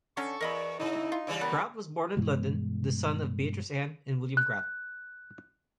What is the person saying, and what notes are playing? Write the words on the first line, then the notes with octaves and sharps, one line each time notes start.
Grout was born in London, the son of Beatrice Anne and William Grout.
D3 C#4 A4 C#6
E2 A#4 D#5 B5
C#3 D#4 E4
F4
C#3 E3 G3
B3 A#4 B5
G2 B2 E3 G#3
F#6